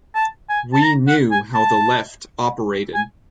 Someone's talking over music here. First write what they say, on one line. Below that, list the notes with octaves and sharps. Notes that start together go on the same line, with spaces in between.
We knew how the Left operated.
A5
G#5
A5
A#5
F#5
G#5
A5
G#5